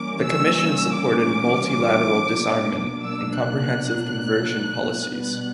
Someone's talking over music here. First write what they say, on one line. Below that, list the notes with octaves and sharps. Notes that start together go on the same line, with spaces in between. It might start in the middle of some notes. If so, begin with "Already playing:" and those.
The commission supported multilateral disarmament and comprehensive conversion policies.
Already playing: E3 G3 A#3 C#4 D6
E6
D6
B2 F#3 A#3 D4
E6
F#6
B2 G3 B3 F#6